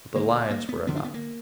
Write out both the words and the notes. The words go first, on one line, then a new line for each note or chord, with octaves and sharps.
But the lines were enough.
D2 D3 A#3
A#3
B3
D2 D3 B3
D4
B3
A#3